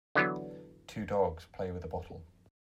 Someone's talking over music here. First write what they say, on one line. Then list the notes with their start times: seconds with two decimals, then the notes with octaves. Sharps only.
Two dogs play with a bottle.
0.15 D3 E3 F#3 B3